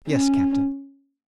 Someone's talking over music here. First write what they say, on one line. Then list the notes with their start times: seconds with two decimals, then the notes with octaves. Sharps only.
"Yes, captain."
0.09 C#4